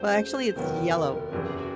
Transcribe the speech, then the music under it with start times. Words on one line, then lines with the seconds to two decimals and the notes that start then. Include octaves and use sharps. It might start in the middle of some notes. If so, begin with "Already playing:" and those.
Well, actually, it's yellow.
Already playing: E2 C#3 F#3 A3 C4 C5
0.55 F1 D#2 D#3 F#3 B3 A#4
1.31 F#1 E2 C3 E3
1.44 G#4
1.56 F#4